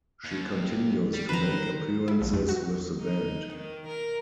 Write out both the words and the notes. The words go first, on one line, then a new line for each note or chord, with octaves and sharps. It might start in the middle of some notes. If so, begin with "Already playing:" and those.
She continues to make appearances with the band.
D#2
G3
D#3 B4 C5 A#5
E4
A#1
F2
F#4
D#4
D#3
A#4